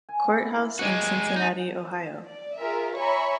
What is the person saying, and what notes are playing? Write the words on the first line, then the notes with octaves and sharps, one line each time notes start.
Courthouse in Cincinnati, Ohio.
G#5
A#3 E4
E4
G#3 D#4 F#4 G4
C#3 G#3 D#4 B5
D5
F4 G#4 A#4 E5
C#5 E5 G#5 A#5 B5 C#6